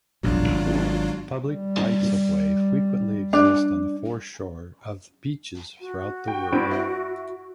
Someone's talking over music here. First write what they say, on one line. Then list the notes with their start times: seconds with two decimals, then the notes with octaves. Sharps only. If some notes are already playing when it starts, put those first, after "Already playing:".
Public rights of way frequently exist on the foreshore of beaches throughout the world.
0.23 E1 A#1 F#2 F#3 D4 F4
0.48 G#1
1.46 G3
3.33 D4
5.81 F#4
6.28 G5
6.52 G2 C4 D7
6.72 E4